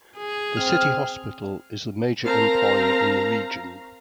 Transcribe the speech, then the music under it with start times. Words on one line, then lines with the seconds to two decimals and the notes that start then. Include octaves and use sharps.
The city hospital is the major employer in the region.
0.18 G#4
0.57 C4 F6
2.24 C4 A#4 F5 A5 A#5